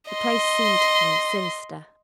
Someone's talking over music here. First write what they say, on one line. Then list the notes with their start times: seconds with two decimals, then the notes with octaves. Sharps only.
The place seemed to him sinister.
0.11 D#5 C6